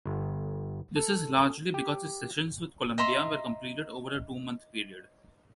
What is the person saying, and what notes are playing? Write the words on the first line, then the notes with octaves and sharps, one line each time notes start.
This is largely because his sessions with Columbia were completed over a two-month period.
G1
A4
G4
D#5 E5 A#5 C6